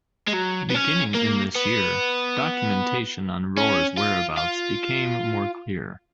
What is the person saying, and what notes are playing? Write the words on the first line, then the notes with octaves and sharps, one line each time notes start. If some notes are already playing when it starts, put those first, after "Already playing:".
Beginning in this year, documentation on Rore's whereabouts becomes more clear.
G#3
F#3
B3
C#4
A#3
B3
C#4
F4
F4